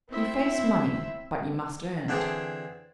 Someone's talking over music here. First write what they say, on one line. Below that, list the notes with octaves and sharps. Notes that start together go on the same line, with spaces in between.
You face money, but you must earn it.
C4 E4 E5
D3 E3 C4 D4 G#4